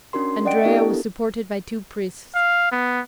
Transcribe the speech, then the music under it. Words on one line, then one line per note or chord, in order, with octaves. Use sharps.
Andrea was supported by two priests.
C#4 D4 F#4 A#4 C6
D5 D#5 F#5 G5 D7
B3 D4 E4 G4 A4 A#4
F5
B3